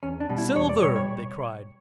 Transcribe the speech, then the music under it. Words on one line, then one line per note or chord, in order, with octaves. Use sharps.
"Silver!" they cried.
E2 C#4
D4
B2 G3
E4
E2 C#5
D5
B2 G3 C#5
C#5